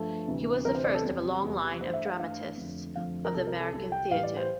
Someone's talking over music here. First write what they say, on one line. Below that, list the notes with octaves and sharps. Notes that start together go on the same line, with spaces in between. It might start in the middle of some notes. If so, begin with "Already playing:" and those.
He was the first of a long line of dramatists of the American theater.
Already playing: G2 F3 A3 A4
D2 C3 E3 G3
D2 C3 E3 G3 A#4
C5
D5
A4
E2 C3 G3
E2 C3 G3
G2 E3 A3 C5
E5
F5
G2 E3 A3 F5
F2 D3 F3 A3
F2 D3 F3 A3 F5
A#4
C2 C3 G3 A4
A#4
A4
C2 C3 G3 A4
G5
A2 E3 G3 F5
D5
C5